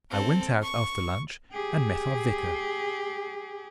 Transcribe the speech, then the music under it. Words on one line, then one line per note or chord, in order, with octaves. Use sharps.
I went out after lunch, and met our Vicar.
C4 A4
C#6
G4 G#4